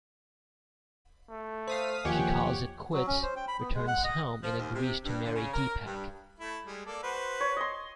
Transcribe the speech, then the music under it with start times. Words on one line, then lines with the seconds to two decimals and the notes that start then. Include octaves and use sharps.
She calls it quits, returns home and agrees to marry Deepak.
1.29 A3
1.68 C5 F5 D#6 B6
2.05 D#2 F3 F4 G4 C#5 F#5 G#5
2.93 F#3
3.07 C#4
3.23 C5
3.36 G5
3.48 B5
3.61 B3
3.75 G#3
3.87 F#5
4.04 D#5
4.43 F3
4.60 D#2
4.74 C3
5.05 G2
5.24 D3
5.36 C#3
5.54 A#4
5.85 G2
6.40 A3 E4
6.65 G3 G#3
6.86 A#3 A4 D5
7.03 F#4 B4 C5
7.41 C#5
7.57 D#5 C6